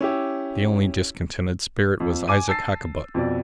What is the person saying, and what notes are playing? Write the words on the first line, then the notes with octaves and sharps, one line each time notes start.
The only discontented spirit was Isaac Hakkabut.
C#4 E4 G4
F2
G#5 D6 D#7
A5 E6 A6 C7
F2 B2 D5